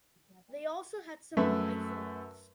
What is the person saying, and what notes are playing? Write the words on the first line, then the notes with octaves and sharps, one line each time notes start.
They also had some rifles.
F#2 A3 B4 E5